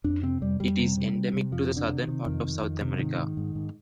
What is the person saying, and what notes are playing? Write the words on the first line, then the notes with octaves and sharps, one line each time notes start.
It is endemic to the southern part of South America.
F2 D4
C3 C4
F2 G3
F2 G3
C3
C3
C3
C3
F2 F3
C3
D3
C3
D#3
C3
F2 D#3
F2
F2
C3
G#2 D#3
G#2
G#2
G#2